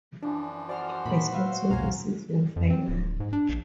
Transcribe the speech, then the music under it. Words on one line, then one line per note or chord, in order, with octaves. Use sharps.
It is also the season finale.
F#2 E3 F3 D4
F#4 C5 D5 F6
A#2 D#3 B5
B4 E5 F5
B1 E2 A#2 F5 G#5 A#5
F2
C4
D1
G#2
D4
A#1